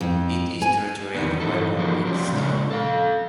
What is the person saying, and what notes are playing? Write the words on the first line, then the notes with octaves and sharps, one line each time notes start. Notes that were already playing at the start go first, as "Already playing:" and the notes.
It is Territorial Revival in style.
F2
G#5
E2 D#3 B3
G2 E3 D#4 A4
F3 A#3 D#4 F#4 G#4 A#4
F3 C#4 D4 G4
A#2 C#3 G#3 C#4 D4
A4 F5